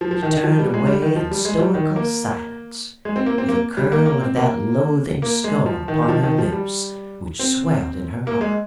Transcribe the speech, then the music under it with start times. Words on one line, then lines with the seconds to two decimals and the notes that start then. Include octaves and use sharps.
She turned away in stoical silence, with a curl of that loathing scorn upon her lips which swelled in her heart.
0.01 F3
0.11 F3
0.22 D#3
0.33 D#3
0.44 F3
0.59 G3
0.74 G#3
0.87 G3
1.02 D#3
1.16 F3
1.31 G3
1.45 G#3
1.60 G3
1.74 D#3
1.96 A#3
3.05 G#3
3.16 C4
3.26 A#3
3.38 C4
3.49 A#3
3.77 G3
3.92 A#3
4.06 A#3
4.21 C4
4.36 A#3
5.22 A#3
5.44 G#3
5.66 F3
5.88 D#3
6.02 D#3
6.09 F3
6.23 D#3
6.38 F3
6.52 G3
7.39 C4
8.27 A#3
8.41 G#3